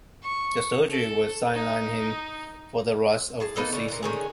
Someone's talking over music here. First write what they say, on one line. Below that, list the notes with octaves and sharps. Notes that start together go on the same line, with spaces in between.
The surgery would sideline him for the rest of the season.
C#6
A4
D#4
A2 G#4 A5
A#3 B3 D#4 A4
D3 C#4
A#2 E3
D3 D#3 C#4 G#4